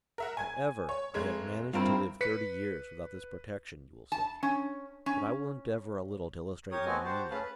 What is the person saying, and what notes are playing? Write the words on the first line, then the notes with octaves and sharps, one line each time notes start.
However, I have managed to live thirty years without this protection, you will say; but I will endeavor a little to illustrate my meaning.
A#4 E5 F#5
G#5 G#6
C#5
F1 G#3 G#6
G2 C4 E4 F4 A#4
B4 B6 C#7
A5
C#4
C#4
G4 A#4 C#5 D#6
A3 B3 C4 F#4 D#5 G#5
F#4 G4 C5 A5
A3 C#4 G#4 B4 F5 A5
B4